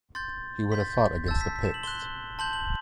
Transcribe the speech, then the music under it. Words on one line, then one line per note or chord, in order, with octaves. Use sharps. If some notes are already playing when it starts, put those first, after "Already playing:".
He would have fought against the picts.
C6 G6 A6
C6 G6 B6
A6
G6
A5 E6 G6 A6
B6
B6
E7
F#7
C6 F#6 G7
A5 C6 G6 F#7
F#7